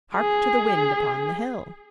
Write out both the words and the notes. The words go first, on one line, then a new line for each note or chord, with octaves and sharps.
Hark to the wind upon the hill!
G#4